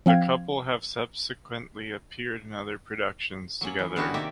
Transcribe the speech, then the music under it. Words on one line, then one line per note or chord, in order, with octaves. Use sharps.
The couple have subsequently appeared in other productions together.
F3 C4 F5 G5 G#6
F#3 A#3 C#4
E3
D3 B3 C#4 E4 F#4 G4
C3 D#3 A#3 G4 D5 E5